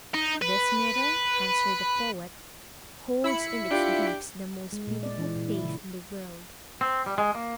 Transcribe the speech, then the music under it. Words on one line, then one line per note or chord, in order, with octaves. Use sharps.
"This mirror," answered the poet, "holds in its deeps the most beautiful face in the world."
D#4
B4
E4 B5 C#7
D4 F4 G4
G#3
A#2
D5
E3
A#2
E4
C#3
C4
G3
G#3
A#3